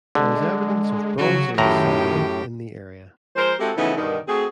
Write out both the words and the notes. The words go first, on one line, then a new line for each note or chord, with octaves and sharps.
There is evidence of Bronze Age settlement in the area.
D3 G#3
C#3 F#3 F#4
F#2 A2 D#3 G4 A#5
F3 G#3 A#4 C5
G#3 C4 E4 F#4 G4 A4
C#3 E3 F3 A3 B3 D#4
G2 B2 D3 D#3
A3 C4 F#4 G#4